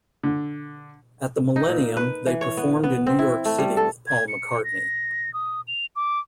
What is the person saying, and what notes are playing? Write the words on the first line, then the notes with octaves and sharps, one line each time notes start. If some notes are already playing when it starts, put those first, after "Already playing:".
At the millennium, they performed in New York City with Paul McCartney.
D3
D#4
A#2
B4
E3
C#5
B3
B3
C4
E4
A3
G3
A4
G#6
C#7
A#6
D#6
F7
D6